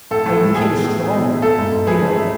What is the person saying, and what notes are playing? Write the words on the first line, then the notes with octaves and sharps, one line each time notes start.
I became stronger, you know.
A2 A4
A2
A4
A2
A2 G#4
B3
A2
A3
B2
A3
A3 A4
G#2
G#2
A3 G#4 B4
A3
A3